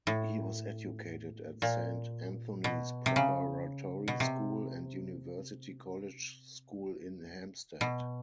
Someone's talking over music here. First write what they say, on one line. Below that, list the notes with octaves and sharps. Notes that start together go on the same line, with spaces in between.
He was educated at Saint Anthony's Preparatory School and University College School in Hampstead.
A2
A#2
B2
C3
C#3
B2
C3
B2